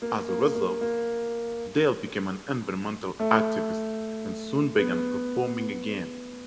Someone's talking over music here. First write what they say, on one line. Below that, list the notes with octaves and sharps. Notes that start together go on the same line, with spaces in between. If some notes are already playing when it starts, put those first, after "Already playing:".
As a result, Dale became an environmental activist and soon began performing again.
A#3
A#3
A#3
A#3
A3
B3